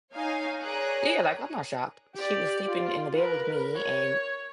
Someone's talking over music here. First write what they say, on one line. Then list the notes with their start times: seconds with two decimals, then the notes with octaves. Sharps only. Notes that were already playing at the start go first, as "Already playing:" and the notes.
Yeah, like, "I'm not shocked. She was sleeping in the bed with me and
0.13 D#4 C#5 F5 G#5
0.61 G#4 A#4 C#5 D5 A#5 F#6
2.15 G4 D5
2.68 F4
3.16 A#4 B4
3.76 C#5